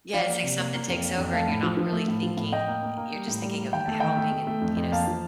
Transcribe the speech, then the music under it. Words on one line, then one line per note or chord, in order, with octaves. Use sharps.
Yeah, it's like something takes over and you're not really thinking eh, you're just thinking of helping and, you know, s
F3 D5 F5
A#3
C3
A#3
A#3
F2
A#3
F2
A3 F5 A5
A2
F3
F3
A3
A2
F3
A2
A2 D#5 G5
A#3
A#3
A#3
G3
A2
G3
A#3
D#3 G5
A3 A5
D#3 D#5 G5
A3
A3
A3
F2
F2
A#3 F5 A5
F3